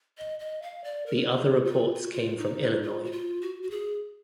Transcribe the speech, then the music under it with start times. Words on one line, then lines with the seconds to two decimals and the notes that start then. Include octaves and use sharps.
The other reports came from Illinois.
0.18 D#5
0.40 D#5
0.62 F5
0.84 D5
1.06 A#4
1.35 G#4
1.65 F4
1.95 F4
2.03 F#4
2.12 F4
2.38 D#4
2.82 F4
3.04 F#4
3.12 F4
3.42 F#4
3.62 F#4
3.71 G#4